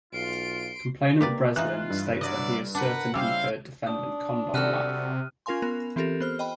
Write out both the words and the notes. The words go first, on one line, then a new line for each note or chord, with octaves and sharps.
Complainant Breslin states that he is certain he heard Defendant Condon laugh.
B1 F4 C6 D7
A#3 G4 B4 D5
E3 D#4 F4 F#6
G2
F#3 E4 D5 D#5
D4 A#4 B4 F#5
C#3 G3 E4 C5 F5 E6
D4 D#6
C3 G3 F#4 A4 F6 F#6 D#7
C#4 F4 A#4 F5 G#5 C6
B3 A#4
E3 C4 F4 G4 A4 A#4
B3 C5 F6
D#5 G5 B5